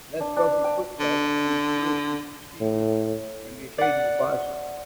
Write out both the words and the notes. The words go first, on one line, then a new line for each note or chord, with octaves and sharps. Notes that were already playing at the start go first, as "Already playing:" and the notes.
Less wealthy foot-travelers used snowshoes, skis, and the occasional bicycle.
D4
D4
G5
D3
A2
D5 F#5